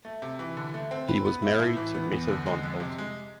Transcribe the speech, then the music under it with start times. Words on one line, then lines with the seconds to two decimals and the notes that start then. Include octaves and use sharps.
He was married to Metta von Alten.
0.05 A3
0.22 C3
0.39 E3
0.57 D3
0.74 A3
0.91 C4
1.08 B4
1.25 B3
1.42 E4
1.60 A2
1.77 E3
1.94 B3
2.12 E2
2.28 D3
2.46 G#3
2.63 F2
2.80 C3
2.98 G#3